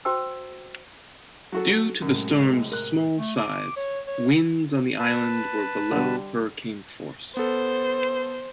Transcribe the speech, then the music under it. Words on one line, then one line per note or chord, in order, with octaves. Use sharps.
Due to the storm's small size, winds on the island were below hurricane force.
F#4 C5 G5 E6
F#3 F#4 A4
F#2 A2 C3 G#3
A#4 F#6
A3
D6
C#5
C#5
B4 A5
D3 G3
B3 A4 C5